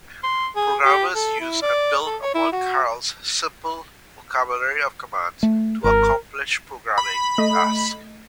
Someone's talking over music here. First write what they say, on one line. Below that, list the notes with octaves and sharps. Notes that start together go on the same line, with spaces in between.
Programmers use and build upon Karel's simple vocabulary of commands to accomplish programming tasks.
C6
G#4
G4
A4
E4
D5
A4
C#5
E4
F#4
A3
G#1 A#4
B5
A3 D#5